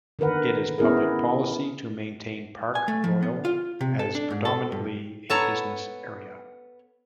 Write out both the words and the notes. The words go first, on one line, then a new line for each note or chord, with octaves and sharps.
It is public policy to maintain Park Royal as predominantly a business area.
D3 D#3 A#4 B4 F#5
B3 C#4 E4 G#4 A#4
G#5
A3
F3
B3
F4
C3
A4
D4
G#2
A4
G2
B3 A4 C#5 A#5